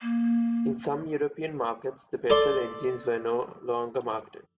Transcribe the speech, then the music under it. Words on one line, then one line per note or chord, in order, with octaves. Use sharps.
In some European markets, the petrol engines were no longer marketed.
A#3
A4 D5 A5 C6